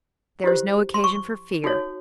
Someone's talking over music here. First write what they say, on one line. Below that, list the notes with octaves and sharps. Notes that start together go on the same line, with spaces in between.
There is no occasion for fear.
E4 G4 C5
C6
C#6
D#4 F#4 A4 C#5